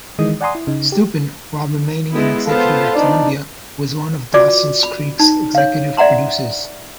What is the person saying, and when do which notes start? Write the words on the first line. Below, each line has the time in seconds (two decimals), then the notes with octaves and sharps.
Stupin, while remaining an executive at Columbia, was one of "Dawson's Creek's" executive producers.
0.19 D#3 E3 G#3 D#5 D#6
0.41 D5 F#5 G#5 A#5 C6 D#6
0.55 E4
0.67 C#3 D#4
0.92 G4
2.13 G#3 B3 E4
2.47 B3 F4 A4 C5 F5 A5
2.95 D4 D#4 D5
4.34 F4 F#4 D5 D6
4.83 B5
5.20 D#4
5.55 C#5 F5
5.97 D5 E5 F#5 A#5 C6